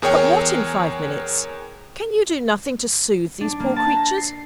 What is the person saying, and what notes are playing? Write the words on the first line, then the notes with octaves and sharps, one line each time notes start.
'But what in five minutes? Can you do nothing to soothe these poor creatures?
E2 G#4 A#4 C#5 G5
D4
A#3
A5
A#6
C7